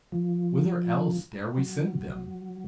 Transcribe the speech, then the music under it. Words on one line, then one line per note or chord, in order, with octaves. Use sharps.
Whither else dare we send them?
F3
F#3